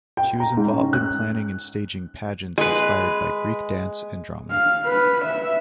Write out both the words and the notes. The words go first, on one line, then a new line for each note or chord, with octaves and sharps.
She was involved in planning and staging pageants inspired by Greek dance and drama.
G5
A#5
G#2
C#4
F#6
G#3 B4
F5
B4
E5